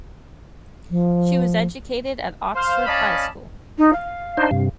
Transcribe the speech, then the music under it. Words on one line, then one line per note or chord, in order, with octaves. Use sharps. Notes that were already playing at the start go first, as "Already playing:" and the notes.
She was educated at Oxford High School.
F3
C5 F5
C#4 D5 D#5 F5 A5 B5
D#4
F5
D4 D#4 C5
G2 C3